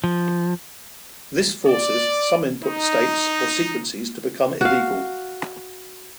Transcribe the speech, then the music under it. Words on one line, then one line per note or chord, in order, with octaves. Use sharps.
This forces some input states or sequences to become illegal.
F3
D5
D#4
F#4 F5